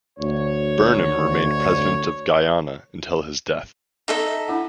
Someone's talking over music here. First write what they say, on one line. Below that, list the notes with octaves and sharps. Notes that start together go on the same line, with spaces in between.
Burnham remained President of Guyana until his death.
D2 C#5
D#4 A4 E5
D4 E4 F#5